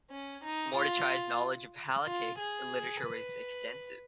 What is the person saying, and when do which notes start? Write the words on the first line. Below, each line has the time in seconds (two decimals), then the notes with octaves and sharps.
Mordechai's knowledge of halakhic literature was extensive.
0.11 C#4
0.44 D#4
0.76 F4
2.06 F4
2.38 G#4
3.03 B4